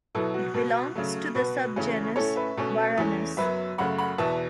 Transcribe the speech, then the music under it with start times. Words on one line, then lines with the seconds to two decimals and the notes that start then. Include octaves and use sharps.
It belongs to the subgenus "Varanus".
0.15 B2 F#3 B3 E4 A4
0.34 F#4
0.54 B2 B3
0.95 C#3 F#3 A3
1.35 B2 B3 F#4 B4
1.76 E2 C#3 A3 C#4
2.16 A2 A3 C#4 A4 C#5
2.36 B4 E5
2.57 B2 A3 C#4
2.98 E2 E3 A3 C#4
3.37 F#2 F#3 B3 B4 E5
3.78 F#2 C#3 A3 F#5 B5
3.98 F#5 B5
4.18 E2 B2 B3 E5 A5